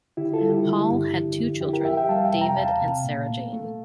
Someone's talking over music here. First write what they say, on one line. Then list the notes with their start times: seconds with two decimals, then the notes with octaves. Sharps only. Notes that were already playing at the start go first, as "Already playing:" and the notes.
Hall had two children, David and Sarah Jane.
0.17 D3 E4 G4
0.34 F4 A4
0.41 G3
0.49 E4 G4
0.66 D3
0.90 G2
1.13 D3
1.38 F2
1.61 F2 E4 G4
1.73 G4 A#4
1.85 F2 E5 G5
1.97 E5 G5
2.09 G3 F5 A5
2.25 E5 G5
2.33 C3
2.41 G5 A#5
2.57 E2 F5 A5
2.81 C3
3.04 A#2
3.29 A3
3.53 A3